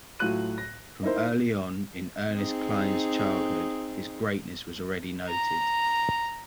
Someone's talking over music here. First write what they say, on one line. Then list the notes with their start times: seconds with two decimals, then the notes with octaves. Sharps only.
From early on in Ernest Klein's childhood, his greatness was already noted.
0.19 A2 F#3 F4 F#6 D#7
0.58 A#6
1.03 D#4 E4 A#4 C5
2.32 C4 D#4 G#4
5.29 A#5